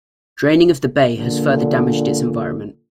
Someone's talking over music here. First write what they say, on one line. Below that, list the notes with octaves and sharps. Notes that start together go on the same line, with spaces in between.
Draining of the bay has further damaged its environment.
A#1 A#2 D3